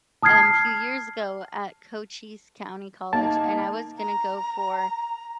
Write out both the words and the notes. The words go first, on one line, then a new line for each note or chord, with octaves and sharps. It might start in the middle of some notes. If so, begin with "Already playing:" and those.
um, a few years ago at Cochise County College and I was gonna go for,
A5 D#6 F6 G#6 C7
A#3 D#4 A5
A#5